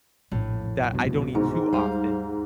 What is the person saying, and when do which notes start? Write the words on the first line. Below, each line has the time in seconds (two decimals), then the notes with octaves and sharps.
that I don't eat too often,
0.32 A#1 F2 A2
0.92 C2 G2 B2
1.35 G#2 D#3
1.73 D#2 G3 C5 F5